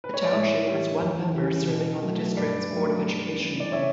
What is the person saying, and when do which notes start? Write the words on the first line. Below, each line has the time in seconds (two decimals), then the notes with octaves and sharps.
The township has one member serving on the district's Board of Education.
0.04 B4
0.14 C#5
0.24 D5
0.32 A2 C#5 E5
0.67 E3 G3
1.01 E2
1.34 C#3 E3 G3
1.69 B2
2.03 F#3 A3
2.36 G2 B4 D5
2.70 F#3 A3
3.04 G2
3.38 E3 B3
3.60 D5
3.72 C#3 C#5 E5